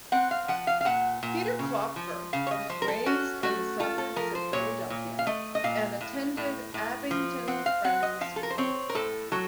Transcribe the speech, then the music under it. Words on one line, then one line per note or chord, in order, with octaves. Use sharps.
Peter Klopfer was raised in the suburbs of Philadelphia and attended Abington Friends School.
C4 F#5
F5
F3 F#5
F5
F5
A#2 F#5
A#2
C#3
F3
C#3 F5
C#5
D#5
F3 C5
A#4
A4
C#4 F#4
A3 F#4
F4 A4
A4
F3 A#4
C5
A#2 C#5
A#2
F5
A3 D#5
D#5
A#2 F5
A2
A2
A2
F3
C4 F#5
F5
C4 F#5
D#5
F3 F5
A4
A#4
C5
C4 C#5
A#4
A2 A4
F#3 A4